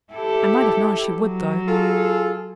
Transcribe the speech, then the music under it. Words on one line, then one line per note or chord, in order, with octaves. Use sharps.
I might have known she would, though.
E4 G4 A4
F#3
F4 G#4 A4